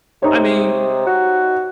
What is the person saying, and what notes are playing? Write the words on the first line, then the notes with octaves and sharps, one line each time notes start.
I mean,
C3 D#4 C#5
F#4